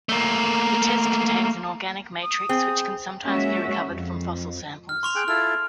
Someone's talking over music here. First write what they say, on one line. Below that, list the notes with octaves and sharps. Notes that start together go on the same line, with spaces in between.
The test contains an organic matrix, which can sometimes be recovered from fossil samples.
A3 A#3
D#6
C4 G#4
G#3 A#3 C#4 F#4 E5
F2
F6
C6 C#6 F7
G#4 G5 F#6
E4 F4 A4 F6